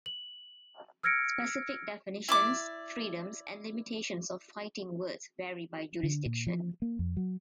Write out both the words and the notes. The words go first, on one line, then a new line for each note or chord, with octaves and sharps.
Specific definitions, freedoms, and limitations of fighting words vary by jurisdiction.
F#7
E6 F6 G#6 A#6 C#7 D7
E4 D5 D6
D3
A#2
F3
A#3
F2
F#3